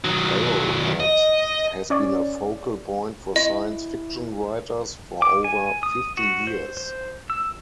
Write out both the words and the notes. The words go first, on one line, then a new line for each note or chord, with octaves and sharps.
Arrowhead has been a focal point for science fiction writers for over fifty years.
D#3 F#3
D#5
C#4 C#5 D5
E4 D#5
D6
G#5
D#6
F#4
C5
C5
E6